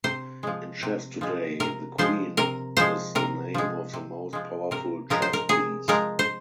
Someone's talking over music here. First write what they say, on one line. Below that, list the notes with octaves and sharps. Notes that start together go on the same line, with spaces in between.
In chess today the Queen is the name of the most powerful chess piece.
C3 C5
F3 G#3
C3
F3 G#3
C3 A#4
F3 G#3 C5
C3 A#4
F3 G#3 C5
C3 A#4
F3 G#3
C3
F3 G#3
C3 A#4
F3 G#3 A#4
C5
A#4
C3 G#4
F3 G#3 A#4
C5